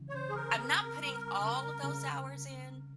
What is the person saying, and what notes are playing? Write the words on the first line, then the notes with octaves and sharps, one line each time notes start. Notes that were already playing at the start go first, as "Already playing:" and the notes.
I'm not putting all of those hours in,
Already playing: C#3 E3 G#3
C#5
C#3 C5
G#4
A#4
C4
G3
C#3
C#3